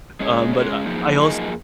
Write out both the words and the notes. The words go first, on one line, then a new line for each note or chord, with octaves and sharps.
um, but, uh, I als
G#3 C#4 G#4 C#5
G#3 C#4 G#4 C#5
F#2 F3 A#3 D#4 G#4
F#2 F3 A#3 D#4 G#4